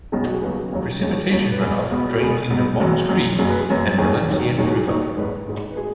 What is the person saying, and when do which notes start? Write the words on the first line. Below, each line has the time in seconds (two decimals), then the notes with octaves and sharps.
Precipitation runoff drains into Mons Creek and Valenciennes River.
0.12 B1 B2 G#3 C#4
0.25 F#4
0.34 G#4
0.42 D#2 C#3 F#3 B4
0.72 D#2 C#3 F#3
1.01 D#2 C#3 F#3 C#5
1.31 D#2 C#3 F#3
1.52 B4
1.61 C#2 B2 B3 G#4
1.91 C#2 B2 B3
2.10 F#4
2.20 C#2 B2 B3 G#4
2.50 C#2 B2 B3
2.80 F#1 F#2 F#3 F#4
3.09 F#1 F#2 F#3
3.39 F#1 F#2 F#3 G#4
3.50 B4
3.60 G#4
3.69 F#1 F#2 F#3
3.98 D#2 D#3 F#3 G#4
4.28 D#2 D#3 F#3
4.58 D#2 D#3 F#3 G#4
4.67 F#4
4.78 G#4
4.87 D#2 D#3 F#3 C#5
5.17 G#1 G#2 G#3 B4
5.47 G#1 G#2 G#3
5.71 B4
5.76 G#3 G#4